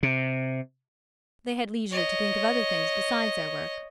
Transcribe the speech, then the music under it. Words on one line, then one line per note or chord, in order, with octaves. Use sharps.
They had leisure to think of other things besides their work.
C3
C#5 D#5